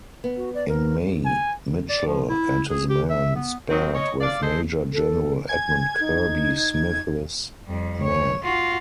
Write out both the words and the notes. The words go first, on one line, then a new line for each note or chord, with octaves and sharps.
In May, Mitchel and his men sparred with Major General Edmund Kirby Smith's men.
B3
F#4
D5
A#4
G#5
D5
F3
E4
G#4
G4
E5
B3
D#3 F#3 C4 D#4 F#4 A#4
C#5 D#5
D5 F5
G#4 A4 C5 D#5
A4
G#5 G#6
D#4
F2 G3
C#5
F4 F#4